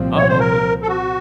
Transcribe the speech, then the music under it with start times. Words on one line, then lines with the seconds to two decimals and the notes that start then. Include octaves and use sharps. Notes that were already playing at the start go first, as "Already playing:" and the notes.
Oh, okay.
Already playing: C2 A#2 F3 C4
0.17 C#5
0.29 C5
0.40 A#4
0.83 A4
0.88 F#4